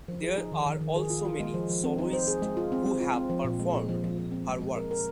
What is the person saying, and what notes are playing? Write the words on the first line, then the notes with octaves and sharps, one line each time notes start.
There are also many soloists who have performed her works.
F3
G#4
D#4
D#3
D#3
D#3
G#4
F4
F4
G#3
F3
F3
C4
D#4
C5
G#4
G#3
F4
C4
C4
F4
C4
F3
A#2
G#3
A#2
F3
F3
F3
C4
G#3
G#3
A#4
A#4